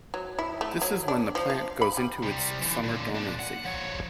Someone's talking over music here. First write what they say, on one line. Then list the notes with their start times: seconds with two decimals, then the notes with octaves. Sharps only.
This is when the plant goes into its summer dormancy.
0.14 F#3
0.39 E4
0.61 A3
0.82 F#3
1.08 D4
1.35 F3
1.50 F5
1.82 B5
1.97 G3
2.23 C3 G3
2.62 D3 E3
2.83 A#2 D3
3.15 A#2 D4
3.39 F#5
3.65 F3 C#5